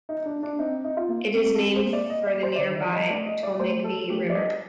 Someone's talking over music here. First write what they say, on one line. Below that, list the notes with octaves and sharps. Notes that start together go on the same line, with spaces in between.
It is named for the nearby Tombigbee River.
D#4
D4
D4
C4 D#4
D#4
F4
A#3
C4
A4
C4 G4
C5
A#3
D5
D#5
D5
C5
D3 C5 D5
D#3
D5
F3
G3 D#5
A3 D5
D#5
D5
A3 C5
A4
A3 G4
F3
D5
G3 D#5